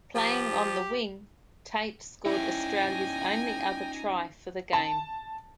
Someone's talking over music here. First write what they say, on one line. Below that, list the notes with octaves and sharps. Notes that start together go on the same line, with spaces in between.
Playing on the wing, Tate scored Australia's only other try for the game.
F3 G4
C#4 D#4 E4 C#5 G5 G#5 A#5
A5